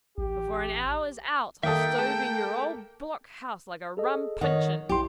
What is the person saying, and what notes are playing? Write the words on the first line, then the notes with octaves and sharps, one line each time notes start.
Before an hour's out, I'll stove in your old block house like a rum puncheon.
A1 G4
D#3 G3 A#3 A4 E5 G5 D#6
A3 G#4 A5 B6
G#4 A4 D#5
D#3 C#5 D#5 F#5
A#1 E4 G4 C6